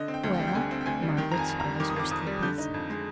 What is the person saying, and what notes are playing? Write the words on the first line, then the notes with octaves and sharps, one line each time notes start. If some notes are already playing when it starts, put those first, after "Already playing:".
"Well?" Margaret's eyes were still puzzled.
Already playing: D3 D#5
C4
G5
D2
G5
G3
G5
D3 G#5
C4
G5
D2 G#5
G3
D#3 G5
F2 A#5
G#5
F2
G3 A#5
D#3 D6
D#6
F2 D6
F2 D#6
G3
D3 G6
D#4
F2
G#3